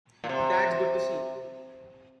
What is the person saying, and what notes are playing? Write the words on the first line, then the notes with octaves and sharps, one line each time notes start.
That's good to see.
A#2
C3